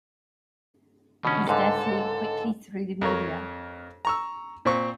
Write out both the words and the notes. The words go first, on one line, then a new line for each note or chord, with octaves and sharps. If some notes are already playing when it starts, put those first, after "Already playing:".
His death leaked quickly through the media.
E2 B2 D3 C#4
C#2 G#2 D3 A4
F2 A#4 C#5
A#5 C#6 E6
A#2 C4 C#6